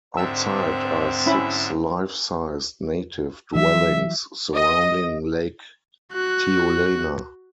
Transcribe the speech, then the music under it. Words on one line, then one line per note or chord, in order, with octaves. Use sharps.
Outside are six life-sized Native dwellings surrounding Lake Tiulana.
G#2 D3 C4 E5 E6
C#4 E4 B5
E3 F#3 E5
D#5
F#4 F#6